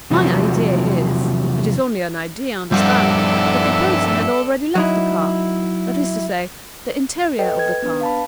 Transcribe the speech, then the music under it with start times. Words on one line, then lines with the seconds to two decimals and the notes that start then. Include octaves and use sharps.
"My idea is--it is only an idea, understand--that the person had already left the car--that is to say, the interior of the car."
0.11 E2 C3 F3 F#3
2.72 G2 F3 G3 A4 D5 E5 F#5 D7
4.75 F#3 D#4 E4
7.39 A4 B4 D#5 G5
7.57 B4 G#6
7.82 B3 D4 B4
8.01 F5 A5 B5